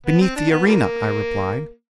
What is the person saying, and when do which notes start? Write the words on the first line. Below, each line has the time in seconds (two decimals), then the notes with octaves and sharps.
"Beneath the arena," I replied.
0.06 B3
0.21 C4
0.36 D4
0.50 B3
0.66 F3 G3 A#3